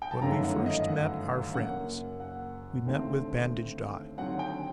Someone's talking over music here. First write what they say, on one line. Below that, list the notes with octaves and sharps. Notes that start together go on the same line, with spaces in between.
When we first met our friends we met with bandaged eyes.
G5
A5
G1 F#2 D#3 F#3 A3 A#5
F#5
D#5
F#5
F#1 F#2 F#3 A#3 F#5
F#5
D#2 D3 A3 C4
D#2 D3 F#3 C4 F#5
G5